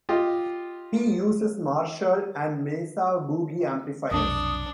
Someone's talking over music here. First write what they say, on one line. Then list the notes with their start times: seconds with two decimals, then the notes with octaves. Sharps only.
He uses Marshall and Mesa Boogie amplifiers.
0.09 F4 G4 D#5
4.11 B1 F2 C3 D4 D#6